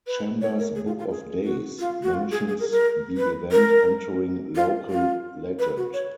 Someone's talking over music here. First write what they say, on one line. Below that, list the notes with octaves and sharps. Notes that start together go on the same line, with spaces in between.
"Chambers Book of Days" mentions the event entering local legend.
B4
C#5
A#4
G#4
F4
F4
G#4
F#4
F4
F#4
F4
G#4
G#4
A#4
A#4
B4
A#4
F4
F4
B4
F#4
C#5